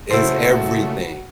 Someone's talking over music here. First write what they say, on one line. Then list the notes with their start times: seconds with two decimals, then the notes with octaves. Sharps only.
It's everything.
0.11 A#2 C#3 A3 E4 F#4 C5